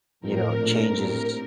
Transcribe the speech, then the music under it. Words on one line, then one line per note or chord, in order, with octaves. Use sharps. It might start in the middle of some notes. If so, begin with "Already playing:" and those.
you know, changes
A2 F3 C4 A#4
A#2 A3 D4
A2 G3 C4 A#4